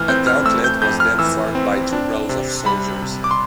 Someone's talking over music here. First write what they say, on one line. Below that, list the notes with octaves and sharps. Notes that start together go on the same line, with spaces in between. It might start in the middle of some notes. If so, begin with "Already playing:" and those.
A gauntlet was then formed by two rows of soldiers.
Already playing: F2 E3 A3 F6
C4 G6
F6
A3 E6
G6
F2 G6
F6
E3 E6
C4
D4
C3
G3 B5
C3
D6
C6